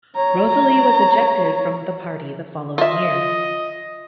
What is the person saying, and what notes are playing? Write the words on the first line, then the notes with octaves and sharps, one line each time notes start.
Roselli was ejected from the Party the following year.
C#5 A#5
F4 D#5 E5